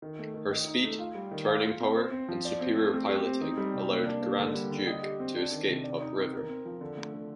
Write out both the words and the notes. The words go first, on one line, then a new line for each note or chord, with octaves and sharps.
Her speed, turning power, and superior piloting allowed "Grand Duke" to escape up river.
D#3
A3
D#3
D#5
D#4
A3
F4
G3
D#3
F5
F4
C4
C5
C4
F3
D5
C4
A3
C4
G4
C4
D#4
G3
C3
A#3
D4
A#3
D3
G3
D3
D#5
G4
C4
D4
D#3
C3
D5
D#4
C4
A#4
C4
F3
D3
A3
D3